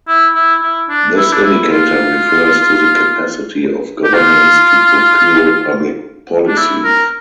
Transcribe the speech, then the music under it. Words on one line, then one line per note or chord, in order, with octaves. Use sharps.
This indicator refers to the capacity of governments to procure public policies.
E4
E4
E4
D4
E4
D4
E4
F4
G4
F4
D4
E4
A#4